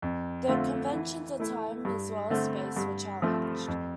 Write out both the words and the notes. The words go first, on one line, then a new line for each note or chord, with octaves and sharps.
The conventions of time, as well as space, were challenged.
F2
D3 A3 C4 F4
E3
A3 E4
G2
D3 A3 C4
G2
F3 A3 C4
F2